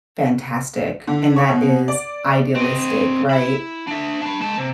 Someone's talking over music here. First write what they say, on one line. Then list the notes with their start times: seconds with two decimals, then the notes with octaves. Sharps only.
fantastic, and that is idealistic, right?
1.07 D3
1.36 C#5
1.51 B2
1.88 D5
2.56 C4 D#5
3.30 E4 B5
3.87 D4 E5
4.22 D4 B5
4.40 G#3 A5
4.57 C3